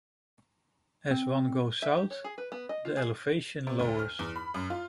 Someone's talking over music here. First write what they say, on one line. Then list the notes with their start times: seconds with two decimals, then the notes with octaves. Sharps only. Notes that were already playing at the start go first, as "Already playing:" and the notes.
As one goes south the elevation lowers.
1.11 C4
1.82 E5
1.97 G4
2.11 C#5
2.24 G#4
2.38 B4
2.52 B3
2.69 D#5
2.85 F4
2.97 G#4
3.67 C3
3.79 D2
3.99 F6
4.19 E2
4.36 B5
4.54 F#2
4.70 F4